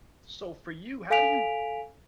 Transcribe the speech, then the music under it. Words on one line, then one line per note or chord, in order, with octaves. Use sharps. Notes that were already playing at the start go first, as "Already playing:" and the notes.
So, for you, how do you
A4 F5 G#5 B6 D7 F7